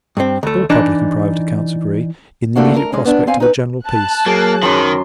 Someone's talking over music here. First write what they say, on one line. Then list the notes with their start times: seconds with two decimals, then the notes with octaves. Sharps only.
All public and private accounts agree, in the immediate prospect of a general peace.
0.17 G2 C4
0.43 D2 A3
0.70 E3 D4 D#4
2.56 G2 A3 A#3 D4 F#4
2.76 A#4
2.92 G#3 C#4 D4
3.05 B3 D4
3.27 C4 F5 G#5
3.40 D#4 B4
3.85 A5 F#6
4.26 F#3 A#3 G#4 C#5
4.63 F#2 D#3 C6